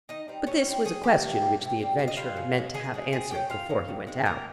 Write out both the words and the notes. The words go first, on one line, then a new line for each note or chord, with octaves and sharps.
But this was a question which the adventurer meant to have answered before he went out....
D#3 D#4 D#5
G3 C4 D#4
D#3 C#4 C#5
G3 C4 D#4
D#3 G#4 G#5
G3 A#3 G4 G5
D#3
G3 A#3
C3
G3 C4
C3 F5
D#5
G3 C4 F4 F5
C#3
G#3 C#4
C#3 G#4 G#5
G#3 C#4
F3 G#4 G#5
G#3 C#4 G4 G5
F3 F4 F5
G#3 C#4
D#3
G#3 C4 D#4
D#3 A#3 A#4